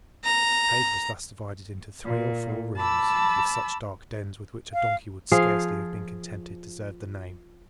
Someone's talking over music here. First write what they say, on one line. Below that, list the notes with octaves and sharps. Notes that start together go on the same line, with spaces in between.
The cave was thus divided into three or four rooms, if such dark dens with which a donkey would scarcely have been contented deserved the name.
A#5
A#2
A5 B5 D6 E6
F5
F3 G#4 F5